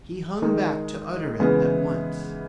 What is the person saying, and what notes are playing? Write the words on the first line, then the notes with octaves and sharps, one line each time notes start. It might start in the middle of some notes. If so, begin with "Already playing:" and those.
He hung back to utter it at once.
D#3 G#3 D#4
C#3 E3 G#3 B3